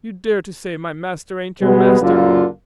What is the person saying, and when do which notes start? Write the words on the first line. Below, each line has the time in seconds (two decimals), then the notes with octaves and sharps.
You dare to say my master ain't your master!
1.61 B2 G3 G#3 B3
2.01 F#1 F#2 A#2 D3 A#3 F4